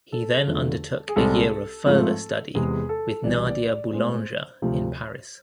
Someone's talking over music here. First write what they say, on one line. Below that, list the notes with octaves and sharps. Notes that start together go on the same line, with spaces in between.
He then undertook a year of further study with Nadia Boulanger in Paris.
A4
E2 D3 F3 A3
G#4
C2 C3 G#3 C4 A4
G#2 F3 A3 C4
E2 C3 G#3 G#4
A4
C2 C3 E3 B3 D5
D5
D5
A2 G#3 B3 C5
D2 C3 F3